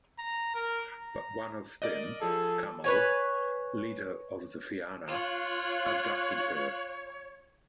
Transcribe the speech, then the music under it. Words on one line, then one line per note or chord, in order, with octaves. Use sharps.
But one of them, Cumhal, leader of the fianna, abducted her.
A#5
A#4
A#5
A#4 D5 D#5
F3 G#4 A4
B4 C#5 G#5
F4 C#5 F#6